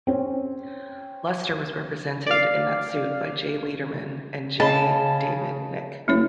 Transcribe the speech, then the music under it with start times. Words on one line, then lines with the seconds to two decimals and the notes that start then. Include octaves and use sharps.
Luster was represented in that suit by Jay Leiderman and J. David Nick.
0.07 C4 C#4
2.27 D5 F5
4.60 C#3 D#5 A5 B5
6.08 F#1 A3 E4 C#5